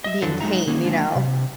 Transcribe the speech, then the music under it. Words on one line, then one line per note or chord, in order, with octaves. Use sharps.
be in pain, you know?
D#5 E5
F2 D3 D#3 F#3 D4 A4
F#3 G#3 B3 D#4 E5 A#5
D#3 A#3 C#4 G#4
D#3 F#3 G#3 A#3 D4
C3